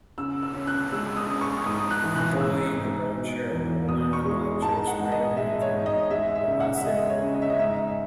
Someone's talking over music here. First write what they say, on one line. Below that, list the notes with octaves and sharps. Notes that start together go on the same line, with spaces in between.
Boy in a brown shirt and woman in a black shirt spray painting a bicycle.
C#3 E6
E6
C#4
F#6
G#3 E6
D#6
C#4
C#6
G#2 D#6
F#6
E3
F#6
G#2 E6
G#2
B2
E2
B2 D#6
C#6
G#3
G#2 A5
F#5
G#2
D#5
G#3 E5
C#5
G#2
D#5
G#3 E5
E5
C#3
F#5
E5
G#3 D#5
C#5
C#3
D#5
E5
D#5
G#2 E5